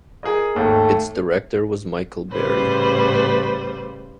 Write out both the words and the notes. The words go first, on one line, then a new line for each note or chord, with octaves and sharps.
Its director was Michael Berry.
G#4 A#4 D#5
G#1 D#2 A3
A2 C#3 G3 B4 C5